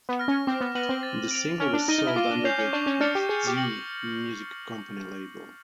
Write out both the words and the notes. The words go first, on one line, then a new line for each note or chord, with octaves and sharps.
The single was sold under the Zee Music Company label.
B3
F6 A#6
C#4
C4 D6
B3
B3 F6 A#6 D#7 F#7
C4
A6
D7 F7
C#4 F6
D4
D#4 A#6 D#7 G7
D#4
E4
F4 D6
D4
C#4 G6 C7 F7
C#4
D4 C#6
C#4
D4 F6 A6 C#7 F7
G4
G#4 G6
G4
A#6 C#7 F#7